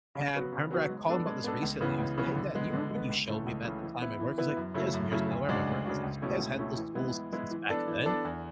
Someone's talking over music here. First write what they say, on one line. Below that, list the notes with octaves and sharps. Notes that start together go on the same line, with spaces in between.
And, I remember I called him about this recently. I w I said, "Hey, Dad, do you remember when you showed me that the time at work?" He's like, "Yeah, some years ago, I remember." I was like, "So you guys had those tools since back then?"
C#3
F#3 B3 F#4 B4
C#3
F#3 B3 F#4 B4
G#3
B3 D4 A4
G#3
B3 D4 A4
C#2
C#3 E3 B3
C#2
C#3 E3 B3
D3
G#3 B3
D3
G#3 B3
C#2
C#3 E3 A3
C#2
C#3 E3 A3
E3
B3 E4 B4
E3
B3 E4 B4
F#2
C#3 F#3 A3 E4
F#2
C#3 F#3 A3 E4
D2
C#3 G#3 D4 F#4
D2
C#3 G#3 D4 F#4
C#2
B2 A3 C#4 E4
C#2
B2 A3 C#4 E4
E3
G#3 B3 E4
E3
G#3 B3 E4
E3
B3 D4 A4 D5
E3
B3 D4 A4 D5
E2